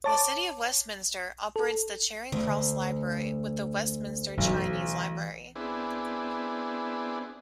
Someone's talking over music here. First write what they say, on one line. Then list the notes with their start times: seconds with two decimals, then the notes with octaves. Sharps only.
The City of Westminster operates the Charing Cross Library with the Westminster Chinese Library.
0.04 C#5 A5 D6
1.56 A4
2.32 D2 D3 A3
4.38 B1 E3
5.56 B3 C4 D4 E4 G#4